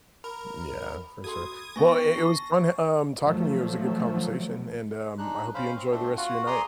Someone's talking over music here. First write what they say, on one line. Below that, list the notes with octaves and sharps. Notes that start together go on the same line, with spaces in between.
Yeah, for sure. Well, it it was fun e um, talking to you. It was a good conversation, and, um, I hope you enjoy the rest of your night.
A#4 B5
F#4 A4 C6 D#6 G#6
B3 D4 G5 G#5 C#6 A6 A#6
A5 C#6 C7
D3 F3 F#3 A3
G#3 D4 D#4 F#6
C#4 C5 F5 B5
C4
A3 C4 D4
F4 F#4 F#5
G#4 D5 A#5 C6 D#6